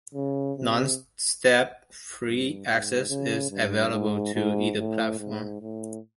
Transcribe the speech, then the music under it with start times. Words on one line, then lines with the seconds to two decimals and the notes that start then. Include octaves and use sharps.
No step-free access is available to either platform.
0.15 C#3
0.58 C3
2.26 G2
2.67 G#2
3.09 C#3
3.51 G2
3.93 G#2
4.35 G#2
4.77 A2
5.19 G#2
5.61 A2